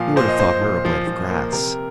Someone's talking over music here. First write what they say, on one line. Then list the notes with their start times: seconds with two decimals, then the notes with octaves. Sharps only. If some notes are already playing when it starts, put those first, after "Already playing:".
You would have thought her a blade of grass.
Already playing: A#2 F3 F5
0.16 A#2 C5
0.28 D#5
0.39 A#2 C5
0.61 A#2
0.85 F3
1.07 F3
1.30 A#3
1.52 C3 A#4